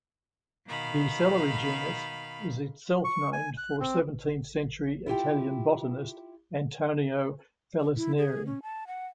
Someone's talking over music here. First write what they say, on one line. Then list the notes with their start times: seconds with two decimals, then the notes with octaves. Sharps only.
The celery genus is itself named for seventeenth century Italian botanist Antonio Vallisneri.
0.67 B2 D#3 F5 B5
3.04 C#6
3.33 G#5
3.57 F#6
3.80 C4
5.06 E4 F4 G4 G5
7.97 E4
8.18 G#4
8.46 C#4
8.63 A5
8.87 F#5